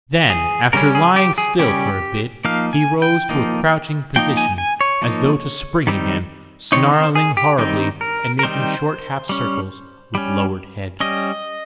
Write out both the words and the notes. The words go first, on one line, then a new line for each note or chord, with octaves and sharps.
Then, after lying still for a bit, he rose to a crouching position as though to spring again, snarling horribly and making short half-circles with lowered head.
G#4
C#3 G3 C#4 A#4
G#4
G4
G#4
C#3 G3 C#4 G4
F3 A#3 D#4 F5
G#5
G5
F3 A#3 D#4
F3 A#3 D#4 G5
G#5
G#5
C#5
F3 A#3 D#4
D#3 G3 C4 D#4
D#3 G3 C4 D#4 C#5
C5
G#4
G4
D#3 G3 C4 D#4
A#4
A#4
D#3 G3 C4 D#4 C5
G3 C#4
G3 C#4
G3 C#4 D#5